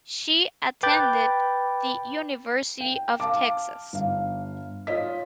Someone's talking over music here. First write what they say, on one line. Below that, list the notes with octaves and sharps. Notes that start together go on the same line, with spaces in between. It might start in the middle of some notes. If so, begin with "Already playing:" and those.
She attended the University of Texas.
B4 G5 B5 D6 G6 A6
G5
F5 A5 D6
G1 F5
F4 C#5 D#5 B6